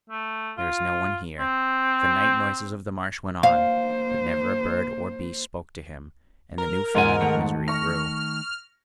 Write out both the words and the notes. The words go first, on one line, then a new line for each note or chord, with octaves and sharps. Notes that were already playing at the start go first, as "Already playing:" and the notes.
"There is no one here." The night noises of the marsh went on, but never a bird or beast spoke to him, and the new feeling of misery grew.
A3
F4
C4
A#3 C5 F5
A#4
C#2 G#2 F4 F#5 G#5
D#3 A3
C#6 F6 A#6